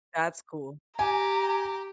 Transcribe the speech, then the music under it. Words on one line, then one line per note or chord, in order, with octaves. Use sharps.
That's cool.
G4 G#5 A#5